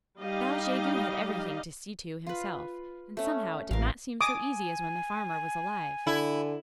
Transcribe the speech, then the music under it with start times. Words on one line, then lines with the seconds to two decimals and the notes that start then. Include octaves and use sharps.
Now Jegu had everything to see to himself, and somehow it did not seem so easy as when the farmer was alive.
0.20 G3 D#4 G4 D#5 F5
2.27 F4 B4
3.17 A3 C#4
3.71 A1 A#4 F5
4.21 G#5 D6 D#6
6.07 D3 E4